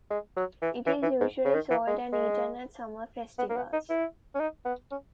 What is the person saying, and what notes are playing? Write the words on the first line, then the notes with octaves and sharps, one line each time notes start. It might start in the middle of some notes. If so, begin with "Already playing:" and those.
It is usually sold and eaten at summer festivals.
G#3
F#3
E3
E3
E3
G#2
C#3
D#3
E3
G#3
G#3
B3
A#3
B3
D#4
E4
C#4
D#4
B3
C#4